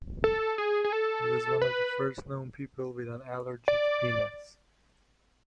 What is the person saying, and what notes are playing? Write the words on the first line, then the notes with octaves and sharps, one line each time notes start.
He was one of the first known people with an allergy to peanuts.
A4
G#4
G#4
A4
B4
D5